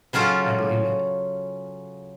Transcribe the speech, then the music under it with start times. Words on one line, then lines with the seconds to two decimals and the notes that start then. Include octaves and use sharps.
I believe it.
0.13 C#3 F#3 C#4 F4 A4